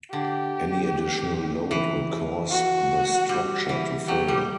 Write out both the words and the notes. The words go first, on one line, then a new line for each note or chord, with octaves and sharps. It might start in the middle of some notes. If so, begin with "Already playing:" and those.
Any additional load will cause the structure to fail.
D3 G4
E3
F#4
G3
E3
F#3 G4
G3